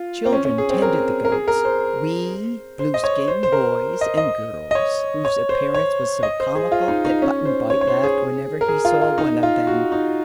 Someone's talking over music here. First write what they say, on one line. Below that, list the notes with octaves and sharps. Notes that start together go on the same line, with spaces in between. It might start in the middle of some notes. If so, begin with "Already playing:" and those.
Children tended the goats--wee Blueskin boys and girls whose appearance was so comical that Button-Bright laughed whenever he saw one of them.
Already playing: F4
C4
C#4
C#4
G#4
C4
A#4
A#4
G#4
A#4
C5
C5
D#5
C#5
C5
C5
A#4
D#5
D#5
D#5
C#5
C#5
C5
C#5
D#5
C5
G#4
F4
D#4
D#4
C#4
C5
C#5
C#5
C5
G#4
A#4
G#4
F4
F4
D#4
F4
F#4
D#4